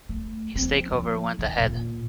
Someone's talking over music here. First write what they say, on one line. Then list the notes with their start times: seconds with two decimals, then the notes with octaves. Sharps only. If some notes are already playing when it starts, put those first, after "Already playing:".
His takeover went ahead.
0.09 A3
0.55 F3 C4
0.90 F3 A#3
1.39 D#3
1.58 A#2 A#3